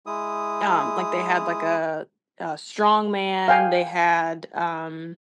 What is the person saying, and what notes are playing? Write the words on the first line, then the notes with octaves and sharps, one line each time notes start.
Um, like, they had, like, a a strong man. They had, um
G#3 E4 D#6
F5 G5 G#5